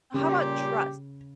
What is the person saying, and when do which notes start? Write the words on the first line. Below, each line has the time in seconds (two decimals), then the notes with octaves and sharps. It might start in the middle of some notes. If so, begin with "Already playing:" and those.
How about trust?
0.14 A#2 C#3 G3 C#4 G4